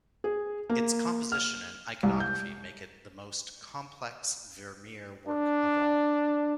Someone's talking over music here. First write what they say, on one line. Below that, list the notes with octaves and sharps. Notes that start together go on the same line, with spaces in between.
Its composition and iconography make it the most complex Vermeer work of all.
G#4
A#3
F6
C2
G6
D4